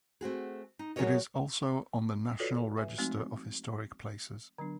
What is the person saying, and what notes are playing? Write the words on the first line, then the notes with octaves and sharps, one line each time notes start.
It is also on the National Register of Historic Places.
A3 C4 F#4 G#4
D#4
F#3 F#4 G#4 A#4 C#5 D#5
F4 F#4 A4 B4 C#5 D5
B4 E5 G#5
F3 G#3 A3 C4 D#4 F#4
D3 F#3 B3 D4